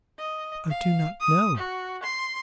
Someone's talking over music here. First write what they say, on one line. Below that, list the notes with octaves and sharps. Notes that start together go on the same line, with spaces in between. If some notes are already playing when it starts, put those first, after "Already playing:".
"I do not know."
D#5
F5
D#6
F#4
C6